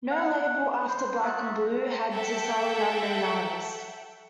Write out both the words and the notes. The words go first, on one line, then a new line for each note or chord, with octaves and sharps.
No label after Black and Blue had to sell an unknown artist.
F#5
C5
A3 F4 F#4 G#4 E5 F#5
A4 E5 F#5 G5